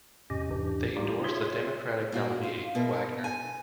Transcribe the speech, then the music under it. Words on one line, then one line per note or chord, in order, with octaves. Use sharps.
They endorsed the Democratic nominee Wagner.
E2 G#2 C3 C#4 G4 D#5
E2 G#2 E3 D4 G4
G3 A#3 D#4 F4 G4
F4 G#4 C#5 E5 C6
A#2 A#3 F#4
F4
B2 A#4 E5
G#5